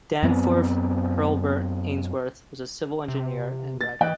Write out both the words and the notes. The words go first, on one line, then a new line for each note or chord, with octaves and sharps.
Danforth Hurlburt Ainsworth was a civil engineer and writer.
F#2 B3 C4
C3
A6
E3 D#5 G5 F#6